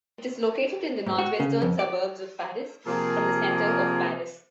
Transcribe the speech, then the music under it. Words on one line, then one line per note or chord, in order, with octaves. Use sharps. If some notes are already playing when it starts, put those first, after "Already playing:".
It is located in the north-western suburbs of Paris, from the center of Paris.
G#2
F#4
C#3
F2
D5
C3 F3 A#3 F4 G#4 A#4